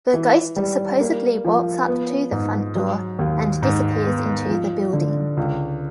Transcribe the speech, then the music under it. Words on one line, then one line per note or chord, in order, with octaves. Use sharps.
The ghost supposedly walks up to the front door and disappears into the building.
E3
G3
A#3
F3
B3
G#2
F#3
D#2
G#2
B3
F3
D3
C#2